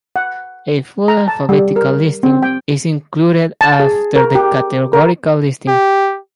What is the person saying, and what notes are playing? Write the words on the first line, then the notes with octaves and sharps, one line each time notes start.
A full alphabetical listing is included after the categorical listing.
F#5
A#5
A5
G3
A#4
C4
G5
A5
G#4
A#4
G4
A#4
G4